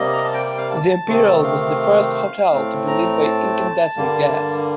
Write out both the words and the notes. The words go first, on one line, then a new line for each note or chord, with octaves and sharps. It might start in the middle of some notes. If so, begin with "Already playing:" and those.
The Imperial was the first hotel to be lit by incandescent gas.
Already playing: C3 G3 A#3 D#5
A#5
A5
G5
G5
F5
A5
C3 D#3 A3 C4
F5
A2 A3 C4
A#5
A5
G2 D3 G3 A#3